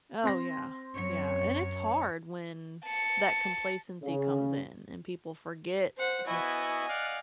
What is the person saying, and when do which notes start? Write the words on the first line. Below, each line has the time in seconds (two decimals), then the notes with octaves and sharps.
Oh, yeah. Yeah. And it's hard when that complacency comes in and people forget you
0.24 C4 C6 A#6
0.95 F#2 C#5
2.84 A5 C#7
4.03 C#3
5.98 C5 F#5
6.27 B3 E4 F#4 D#5 G#5
6.89 D5 F5 F#5